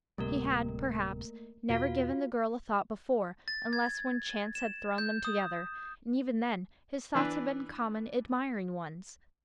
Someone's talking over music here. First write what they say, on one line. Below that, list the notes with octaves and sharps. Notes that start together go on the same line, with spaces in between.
He had, perhaps, never given the girl a thought before, unless when chance had thrown them together, and even then his thoughts had been common admiring ones.
D1 C3 G3 A3 A#3 A#4
E2 B2 F4 F#4 F5
A6
G#6
E7
G6
D#6
E3 D4 B4